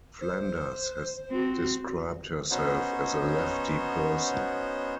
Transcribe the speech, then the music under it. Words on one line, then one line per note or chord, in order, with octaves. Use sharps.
Flanders has described herself as a lefty person.
C5
C4 F#4
B3 C#4 D#4 F#4 C5 C#5